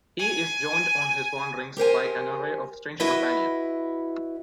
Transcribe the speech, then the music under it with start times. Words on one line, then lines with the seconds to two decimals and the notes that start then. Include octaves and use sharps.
He is joined on his wanderings by an array of strange companions.
0.19 G#5
1.77 G4 A#4 C5 G#5
3.00 E4 F#4 B4 D#5 E5